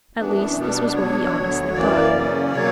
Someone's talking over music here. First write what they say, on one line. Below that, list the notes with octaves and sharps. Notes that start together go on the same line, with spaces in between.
At least, this was what he honestly thought.
F#2 E3 B3 D4
B2 G3 B3 D4
B2 F#3 B3 D4 C#5
D2 D3 F#3
F#2 E3 A#3 D5
C#3 F#3 A#3 C#4
B2 F#3 A#3 C#5